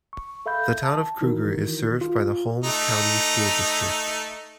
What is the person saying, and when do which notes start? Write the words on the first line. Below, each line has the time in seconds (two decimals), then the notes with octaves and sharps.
The town of Cruger is served by the Holmes County School District.
0.13 C#6
0.46 A4 E5 F5 B5 G6
0.83 A5
1.21 D#3 E3 D#4 E4 F#4 A#4
2.01 F4
2.64 A3 D#4